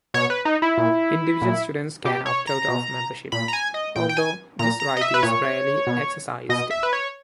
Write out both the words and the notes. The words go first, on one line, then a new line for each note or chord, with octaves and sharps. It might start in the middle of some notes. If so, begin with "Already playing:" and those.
Individual students can opt out of membership, although this right is rarely exercised.
B2 C#5
B4
D#4
E4
A#2
A#2
B2 G4
C#5
A#5
B2
A#2 B5
A#5
G#5
D#5
A#2 G5
G5
G#5
A#2 A#5
A#5
D#5
E5
B4
A#2 C#5
B2
B2 D#5
E5
B4
C#5